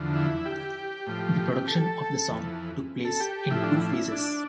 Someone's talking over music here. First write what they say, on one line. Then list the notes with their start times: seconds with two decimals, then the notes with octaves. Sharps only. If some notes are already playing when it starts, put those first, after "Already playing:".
The production of the song took place in two phases.
Already playing: E2 D3 F3
0.15 E4
0.45 G4
1.07 A2 F3
1.67 A4
2.29 F2 E3
3.05 A4
3.20 G4
3.51 A2 F3 E4
3.64 D4
3.77 E4
4.12 D4